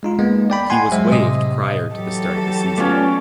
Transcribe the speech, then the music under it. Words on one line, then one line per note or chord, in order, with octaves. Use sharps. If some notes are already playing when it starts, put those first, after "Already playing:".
He was waived prior to the start of the season.
G#3 D#4 F4
G#3 A#3 B3
D5 G5 B5
F#5 G#5 C6
F#3 G#3 C5 E5
A2 C3 D#5 D#6
E3 F#3 G4 A4
A3 B3 C#4 F4 D5